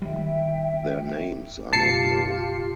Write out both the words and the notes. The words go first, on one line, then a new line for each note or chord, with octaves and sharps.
Their names are not known.
D#3 G3 E5 G5
F#1 B2 F4 G4 A5 C7 C#7